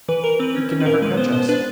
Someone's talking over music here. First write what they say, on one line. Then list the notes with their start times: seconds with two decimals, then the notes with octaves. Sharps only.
He can never catch us.
0.08 E3 B4
0.24 E3 A#4
0.40 C4 B4
0.55 C#4
0.71 C#4
0.80 B4
0.86 A#2 A#4
1.01 G#3 B4
1.17 B3 C5
1.32 B2 C5
1.49 D4 B4